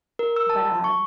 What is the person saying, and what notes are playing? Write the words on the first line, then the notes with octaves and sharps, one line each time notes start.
but I
A#4
E6
A5
C#6